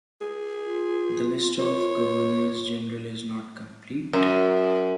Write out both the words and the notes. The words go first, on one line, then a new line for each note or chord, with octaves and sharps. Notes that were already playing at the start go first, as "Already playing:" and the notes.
The list of Governors-General is not complete.
G#4
F4
C#5
F#2